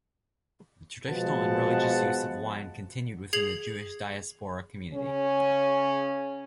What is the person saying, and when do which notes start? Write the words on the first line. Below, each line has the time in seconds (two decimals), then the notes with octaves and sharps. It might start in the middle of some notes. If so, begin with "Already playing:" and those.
The traditional and religious use of wine continued within the Jewish diaspora community.
1.07 B2 F3 G#3 B3 F#5 A5
3.33 G#4 G#6 C7 F7 F#7
4.94 C#3 C#4